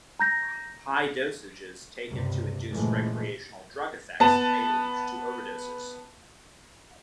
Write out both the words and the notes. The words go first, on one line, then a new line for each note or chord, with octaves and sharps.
High dosages taken to induce recreational drug effects may lead to overdoses.
A#5 G6 A#6
C#2 G2 C3
A#2 C#3 E3 F3 G#3 A3
B3 A5